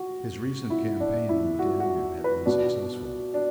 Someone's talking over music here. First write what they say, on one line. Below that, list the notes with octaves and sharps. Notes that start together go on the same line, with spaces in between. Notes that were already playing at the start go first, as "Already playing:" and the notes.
His recent campaign on the Danube had been successful.
Already playing: F#4
E4
D4
E4
F#4
F#4
B4
B2 D4
D4